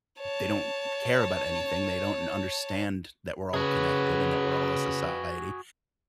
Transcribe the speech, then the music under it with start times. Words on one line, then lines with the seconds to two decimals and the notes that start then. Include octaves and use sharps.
they don't care about anything, they don't understand that we're all connected and that we're all a society,
0.20 C#5 A5
3.54 C#3 F#4 G#4 B4